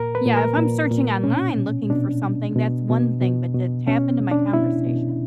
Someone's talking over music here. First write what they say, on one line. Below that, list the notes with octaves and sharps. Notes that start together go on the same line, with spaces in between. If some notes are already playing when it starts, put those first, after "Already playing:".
Yeah, if I'm searching online looking for something, that's one thing, but to tap into my conversations?
Already playing: A#2 A#4
B4
A#2
A#4
A#2
A#2
B2 C#4
B2
B2 D4
B2
B2
B2
B2
B2
B2 C#4
B2
D4
B2 E4
B2